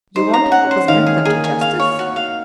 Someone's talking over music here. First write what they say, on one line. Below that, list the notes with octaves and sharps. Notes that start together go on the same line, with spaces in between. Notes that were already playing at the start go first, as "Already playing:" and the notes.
"You won't help us bring them to justice?"
D#4 C5
A#5
C#4
F#5
C#4
C5
D#3 F5
G#4
A#3 G#4
G#5
F5
C#5
F#4
F5